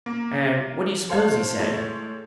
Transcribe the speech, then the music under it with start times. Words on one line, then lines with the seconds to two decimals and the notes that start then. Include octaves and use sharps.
And what do you suppose he said?
0.06 A#3
1.09 A4 C5 C#5 F5 A5 G#6
1.59 A2 G#3 A4 C#5 A6